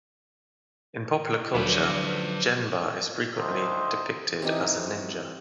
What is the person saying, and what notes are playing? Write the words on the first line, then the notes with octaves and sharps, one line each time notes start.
In popular culture, Genba is frequently depicted as a ninja.
D2 D3 F3 F#3 D4 B4 D5
D2 D#4 C5
C3 E3 D#4 G4